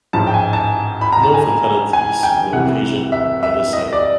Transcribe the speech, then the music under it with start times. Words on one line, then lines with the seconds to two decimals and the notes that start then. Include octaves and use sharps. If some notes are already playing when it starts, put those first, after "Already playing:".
No fatalities were occasioned on either side.
0.13 A1 G#2 F3 G#3 A5
0.27 G5
0.34 G#5
0.53 A5
1.01 B5
1.12 A#5
1.23 A5
1.34 G#5
1.93 G#5
2.23 G5
2.53 C2 C3 E3 F#5
3.12 E5
3.43 E5
3.73 D#5
3.93 D5